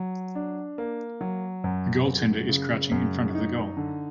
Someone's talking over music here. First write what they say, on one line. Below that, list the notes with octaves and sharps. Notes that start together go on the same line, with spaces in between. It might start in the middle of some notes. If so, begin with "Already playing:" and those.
The goaltender is crouching in front of the goal.
Already playing: F#3
D4
A#3
F#3
F#2
F#2
C#3
F#2
D#4
D3